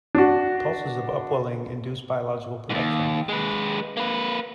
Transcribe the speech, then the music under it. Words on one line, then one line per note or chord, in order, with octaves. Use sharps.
Pulses of upwelling induce biological production.
D4 F#4
D#2 G#2
G#3 B4
A#3 B4